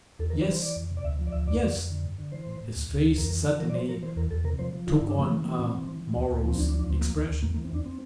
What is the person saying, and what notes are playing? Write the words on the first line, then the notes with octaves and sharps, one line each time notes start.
"Yes... yes..." His face suddenly took on a morose expression.
E2 A4
A#4
E3
D5
E3 C5
E3 D5
F2
C3
D5
D2 E5
F3
D5
D2 E5
F2 D5
F2
F2
D3
G2
D3
E3 C5
A2
A2
D2
D2
E3
F2 A#4
E3
E3
F3 A#4
D5
F3 C5
F3 A#4
E3 C5
E2 A#4
E2 A4
C3 A#4
F3 C5
F3
D3 F4
E4
G2
D4
F3 A#3
E3 A3
E3 A#3
A2 C4
E3
E3
E3
D2
D2
F3 C4
D2 D4
D4
F3
D4
D2 C4
F3 A#3
D2
D2
E2 A#3
E3 A#3
C4
E2 D4
C4